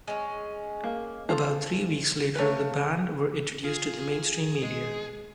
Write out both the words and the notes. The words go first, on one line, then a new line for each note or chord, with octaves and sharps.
About three weeks later, the band were introduced to the mainstream media.
G#3 C#4
A#3
F4 A4 C5
A3 A#4 B4 C#5 F5
F4 G#4
G#3 G#4